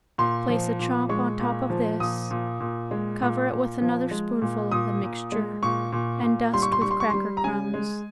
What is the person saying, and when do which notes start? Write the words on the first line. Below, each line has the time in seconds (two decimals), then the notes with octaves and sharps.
Place a chop on top of this, cover it with another spoonful of the mixture and dust with cracker crumbs.
0.18 A#2 C6
0.49 F3
0.79 A#2
1.09 G#3 C#6
1.39 A#2
1.70 F3
2.00 A#2 D#6
2.31 A#2
2.60 A#2
2.91 G#3
3.22 A#2
3.51 A#2
3.82 F3
4.11 G#3
4.42 A#2
4.72 A#2 D#6
5.03 A#2
5.32 G#3
5.63 A#2 C#6
5.92 A#2
6.23 A#2
6.53 G3 C6
6.62 C#6
6.72 C6
6.82 G3 C#6
6.91 C6
7.00 C#6
7.10 G3 C6
7.37 A#5
7.44 C#3 G#5
7.74 G#3